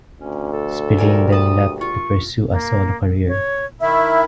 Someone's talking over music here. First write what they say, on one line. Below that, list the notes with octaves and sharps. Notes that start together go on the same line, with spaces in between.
Spillane then left to pursue a solo career.
D2 C#4
A4
G3 A#4 G#5
A5 B5 D#6
F4 C#6
A#3
C#5
D#3 E4 E5